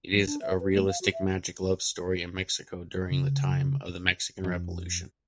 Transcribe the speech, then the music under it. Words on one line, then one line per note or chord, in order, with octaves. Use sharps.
It is a realistic magical love story in Mexico during the time of the Mexican Revolution.
F#3
D4
E5
B4
A3
F5
F#4
E5
C#3
F2